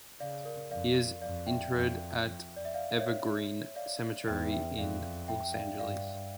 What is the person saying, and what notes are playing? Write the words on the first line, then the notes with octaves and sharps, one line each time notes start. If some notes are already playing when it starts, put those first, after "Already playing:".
He is interred at Evergreen Cemetery in Los Angeles.
C#3 D5 F5
A#4 D5
F2 D5 F5
F2 D5 F5
E5 G5
F2
F2
D5
E5
D5 F5
F5
C#5 E5
D5 F5
E2 E5 G5
E5 G5
F2 D5 F5
E5 G5
G5
D5 F5
G2 D5 F5